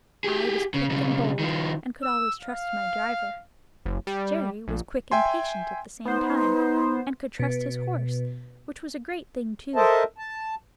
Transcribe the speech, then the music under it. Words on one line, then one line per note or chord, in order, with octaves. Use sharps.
I was quick and bold and could always trust my driver; Jerry was quick and patient at the same time, and could trust his horse, which was a great thing too.
G4 G#4
C#3
B1 C#3
D#3 F3
E6
F5
F#1
G3
A#1
E5 G5 G#5 C6
B3 D#4 C5
B2
A4 A#4 C5 D#5 E5 A5
A5